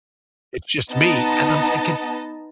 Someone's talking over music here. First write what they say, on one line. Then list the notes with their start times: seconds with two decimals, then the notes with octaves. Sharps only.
It's just me," and I'm thinking,
0.92 B3 D#4 D#5 A5